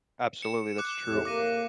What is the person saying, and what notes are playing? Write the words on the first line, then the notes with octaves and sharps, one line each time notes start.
Absolutely, that's true.
C#7 E7
D6 F#6 E7
F2 A2 C3
A#3 D6 A#6 D#7